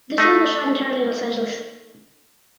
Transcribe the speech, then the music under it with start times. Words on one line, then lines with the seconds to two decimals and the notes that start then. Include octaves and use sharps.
The film was shot entirely in Los Angeles.
0.18 A3 D#4